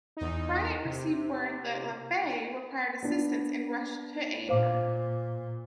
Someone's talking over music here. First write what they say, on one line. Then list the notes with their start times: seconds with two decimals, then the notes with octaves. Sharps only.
"Bryant" received word that "Laffey" required assistance and rushed to aid her.
0.17 E2 D#4
0.85 C3
3.03 B3 D4
4.49 A#2 C5 F5 D6